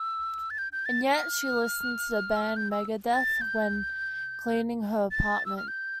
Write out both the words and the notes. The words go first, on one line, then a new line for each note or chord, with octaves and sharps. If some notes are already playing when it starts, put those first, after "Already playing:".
And yet she listens to the band Megadeth when cleaning her apartment.
Already playing: E6
A6
G6
G6
A6
F6
E6
F6
G6
E6
A6
G6
A6
E6
F6
G6